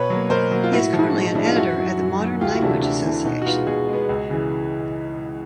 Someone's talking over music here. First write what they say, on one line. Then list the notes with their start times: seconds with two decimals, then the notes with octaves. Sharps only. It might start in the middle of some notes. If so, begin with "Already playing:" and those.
He is currently an editor at the Modern Language Association.
Already playing: B2 B4 C#5
0.10 F#3 A#3
0.30 B2 A#4 C5
0.51 F#3 A#3
0.64 F4
0.72 A2 E4 F#4
0.94 F3 G#3
1.15 A2 D#4
1.25 D#4
1.35 F3 G#3 D4 E4
1.46 D#4 F4
1.56 F#2 E4 F#4
1.77 D#3 F#3
1.99 F#2
2.20 D#3 F#3
2.41 D2 F4 G4
2.51 E4 F#4
2.61 C3 E3 A3 D4 E4
2.82 D2 D4 E4
3.04 C3 E3 A3
3.25 B2 D#4
3.42 F#4
3.46 G#3 B3 D#4 F4
3.67 B2 F#4 G#4
3.89 G#3 B3
4.09 C#2
4.30 C#3 E3